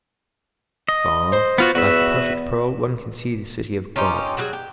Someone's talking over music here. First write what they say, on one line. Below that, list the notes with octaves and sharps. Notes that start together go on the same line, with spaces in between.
Far off, like a perfect pearl, one can see the city of God.
D#5
C5
B3 F4 F#4
E2 F#4 B4 E5
C#4 D#4 F4 G4
F#3 G3 F#4 G#4
G4